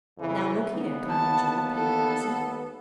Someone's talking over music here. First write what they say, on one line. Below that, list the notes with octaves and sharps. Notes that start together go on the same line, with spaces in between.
"Now, look here, Cloudy Jewel," pleaded Allison.
F2 C#3 E3
D#2 B3
A5
A4